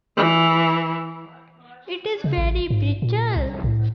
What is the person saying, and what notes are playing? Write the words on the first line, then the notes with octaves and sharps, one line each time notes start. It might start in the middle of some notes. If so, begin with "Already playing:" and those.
It is very brittle.
E3
C#3
A1
G#2
A#2
C2
A2